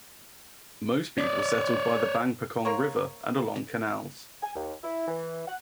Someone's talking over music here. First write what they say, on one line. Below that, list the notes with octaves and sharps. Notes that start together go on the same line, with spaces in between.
Most people settled by the Bang Pakong River and along canals.
C#5 D5
A#3 A#4 C5 C#5
G#5
D#2
E4
E3
F#5